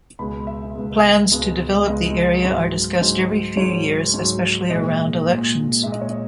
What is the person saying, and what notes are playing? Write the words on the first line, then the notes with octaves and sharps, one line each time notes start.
Plans to develop the area are discussed every few years, especially around elections.
C#2 B2 G#3 B5
E5
C#2 B2 G#3
C#2 B2 G#3
C#2 B2 G#3 D#5
G#2 F#3
G#2 F#3
G#2 F#3 C#5
G#2 F#3
A#2 G#3 D#5
A#2 G#3
A#2 G#3 E5
D#5
C#5
D#5